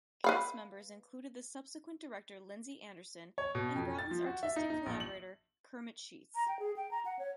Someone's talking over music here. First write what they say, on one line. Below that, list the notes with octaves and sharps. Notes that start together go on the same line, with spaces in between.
Cast members included the subsequent director Lindsay Anderson and Broughton's artistic collaborator Kermit Sheets.
B4 F5 B5
C#5
B2
F2
A6
F3
F#4
E5
D#4
D#4
A#1
F#7
A#5
G5
G#4
G5
A#5
F#5
C#5